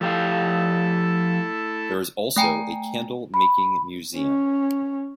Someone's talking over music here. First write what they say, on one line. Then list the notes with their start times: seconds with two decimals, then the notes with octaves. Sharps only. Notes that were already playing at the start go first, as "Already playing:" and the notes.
There is also a candle making museum.
0.01 F3 A3 E4 G4 A4 F5
2.36 A3 G5 G#5 A#5
3.34 B5
4.16 C#4